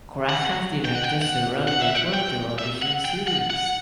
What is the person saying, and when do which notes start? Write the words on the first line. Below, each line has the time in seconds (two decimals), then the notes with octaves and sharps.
Cragg has directed several network television series.
0.29 F#5
0.85 G5
0.95 F#5
1.04 G5
1.22 F#5
1.68 F#5
1.81 E5
1.95 F#5
2.14 G5
2.59 E5
2.82 F#5
3.05 G5
3.28 F#5
3.50 F#5